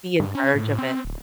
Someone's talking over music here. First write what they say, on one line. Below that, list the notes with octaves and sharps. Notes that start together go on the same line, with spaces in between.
be in charge of it.
G2
C#4
A2
C4
D1